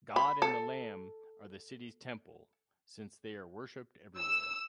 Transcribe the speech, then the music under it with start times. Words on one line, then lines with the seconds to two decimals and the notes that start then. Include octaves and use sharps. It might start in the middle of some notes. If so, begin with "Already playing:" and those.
God and the Lamb are the city's temple, since they are worshiped everywhere.
0.16 B5
0.42 A4
4.18 E6